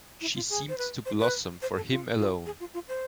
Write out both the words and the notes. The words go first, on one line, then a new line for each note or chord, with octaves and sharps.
She seemed to blossom for him alone.
E4
F4
G#4
C5
B4
C5
B4
C5
A4
F4
F4
G#4
F4
F4
C5